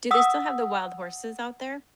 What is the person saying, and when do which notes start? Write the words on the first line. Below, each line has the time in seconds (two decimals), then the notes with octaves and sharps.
do they still have the wild horses out there?
0.11 F#5 D#6 E6